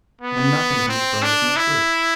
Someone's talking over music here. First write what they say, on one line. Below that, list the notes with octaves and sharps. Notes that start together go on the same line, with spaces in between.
When nothing can be further from the truth.
B3
C4
D4
E4